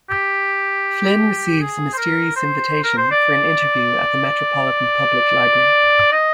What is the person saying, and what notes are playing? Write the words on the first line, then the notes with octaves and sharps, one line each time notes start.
Flynn receives a mysterious invitation for an interview at the Metropolitan Public Library.
G4
G#4
C5
A#4
C5
A#4
C5
D5
D#5